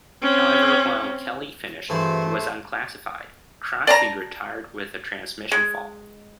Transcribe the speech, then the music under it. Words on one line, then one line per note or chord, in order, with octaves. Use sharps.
However, while Kelly finished, he was unclassified; Crossley retired with a transmission fault.
C4 C#4
G2 E3 A3 F#4 G#4 C5
D5 A5 A#5
G#3